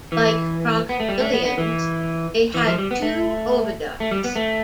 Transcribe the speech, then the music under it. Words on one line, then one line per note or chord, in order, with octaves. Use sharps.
Like crocodilians, they had two oviducts.
E3
B3
A3
G3
A3
B3
B3
E3
E3
F3
G3
B3
A3
A3
G3
B3
A3